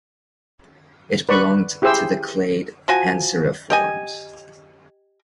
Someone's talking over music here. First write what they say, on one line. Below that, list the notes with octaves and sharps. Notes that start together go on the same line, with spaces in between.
It belonged to the clade Anseriformes.
B4 D5 B5 C#6
E4 G4 G#4 C5 E6
F3 F#4 G#5
G4 D#5 G#5